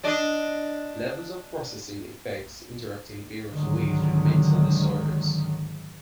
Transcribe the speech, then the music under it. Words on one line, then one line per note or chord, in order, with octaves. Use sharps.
Levels-of-processing effects interact in various ways with mental disorders.
D4 D5 D#5
C#2 G#2 D3 D#3 F#3